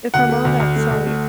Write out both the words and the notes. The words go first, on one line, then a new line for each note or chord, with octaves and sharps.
if I'm on that site,
D2 F#5
A3
D2
D2
A3
D2
A3